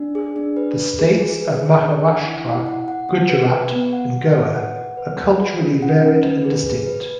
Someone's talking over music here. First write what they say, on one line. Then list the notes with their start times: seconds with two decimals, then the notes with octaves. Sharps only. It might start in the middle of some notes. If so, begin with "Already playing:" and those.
The states of Maharashtra, Gujarat and Goa are culturally varied and distinct.
Already playing: D4
0.15 G#4
0.36 D4
0.57 B4
0.78 B4
0.99 G#4
1.19 G#4
1.41 B4
1.61 G#4
1.83 D4
2.04 F#5
2.25 E4
2.45 E4
2.66 F#5
2.88 F#5
3.09 F#5
3.29 B4
3.51 B4
3.72 B3
3.93 F#5
4.14 F#5
4.35 B4
4.56 F#5
4.77 F#5
4.97 B4
5.19 F#5
5.40 G#4
5.61 C#4
5.82 F#5
6.03 C#4
6.23 B4
6.45 G#4
6.66 B4
6.87 B4